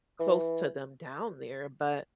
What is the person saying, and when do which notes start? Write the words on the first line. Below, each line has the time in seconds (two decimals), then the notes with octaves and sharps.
close to them down there. But,
0.20 E3